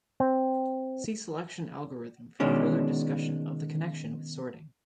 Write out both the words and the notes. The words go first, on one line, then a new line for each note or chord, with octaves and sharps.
See selection algorithm for further discussion of the connection with sorting.
C4
B2 D#3 G#3 C#4 D4